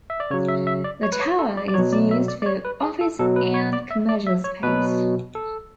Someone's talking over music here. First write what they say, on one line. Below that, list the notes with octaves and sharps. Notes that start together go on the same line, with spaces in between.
The tower is used for office and commercial space.
E5
D5
C#3 F#3 C#5
E5
E5
D5
C#5
B4
C#5
A4
D5
D5
B2 F#3 C#5
D5
E5
D5
D5
C#5
B4
G#4
A4
B2 F#3 A4
B4
C#5
D5
E5
D5
E5
C#5
B2 F#3 B4
A4